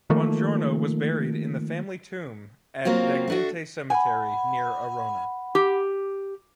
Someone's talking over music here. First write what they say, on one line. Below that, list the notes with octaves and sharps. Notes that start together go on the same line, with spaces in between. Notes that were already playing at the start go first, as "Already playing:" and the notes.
Bongiorno was buried in the family tomb, at Dagnente Cemetery, near Arona.
D#3 F3 A3 A#3
F#3 A#3 C4 F4 F#4
A3 D4 F#4
F#5 G#5 B5
G4